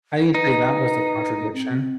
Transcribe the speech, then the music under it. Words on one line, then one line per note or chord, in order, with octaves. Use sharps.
I didn't say that was the contradiction.
D#4 B4
C4